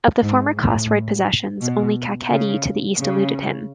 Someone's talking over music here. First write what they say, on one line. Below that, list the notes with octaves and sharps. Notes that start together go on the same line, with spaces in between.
Of the former Chosroid possessions, only Kakheti to the east eluded him.
G#2
A2
B2
C#3
C#3